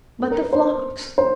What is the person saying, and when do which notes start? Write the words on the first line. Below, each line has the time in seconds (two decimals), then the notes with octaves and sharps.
"But the flocks!"
0.20 A4
0.31 A#4
0.42 B4
0.53 C5
1.18 C5